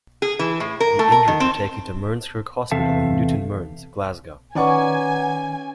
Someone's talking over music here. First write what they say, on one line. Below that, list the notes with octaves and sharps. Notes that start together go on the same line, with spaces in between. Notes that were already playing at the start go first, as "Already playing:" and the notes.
The injured were taken to Mearnskirk Hospital in Newton Mearns, Glasgow.
G#4
E3
A2
A#4
A3
A#4
D#3
C4
E2 C3 A4 E5 F5 A5
D#3 C#4 B4 D5 F#5 G#5 A#5 C#6